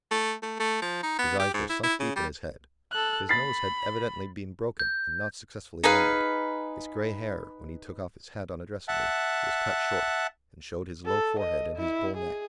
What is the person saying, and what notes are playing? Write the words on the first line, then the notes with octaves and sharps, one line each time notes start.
His eyes were sunk deep in his head; his nose had evidently been broken and not successfully mended; his grey hair, when he took off his hat on addressing me, was cut short, and showed his low forehead and his bull neck.
A3
A3
A3
F3
D#4
B3
G4
G#2
E4
E4
C#3
G3
A4 F#6
B5 A6 B6 C7
G6
D#4 G#4 B4 F5
E5 F#5 A5
A4
D#5
E4
G#4